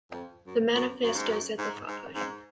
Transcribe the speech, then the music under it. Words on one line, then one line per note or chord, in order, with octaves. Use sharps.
The manifesto said the following.
F2
F#2
F#2
F#2
G#2
F#2
G#2
G#2
G#2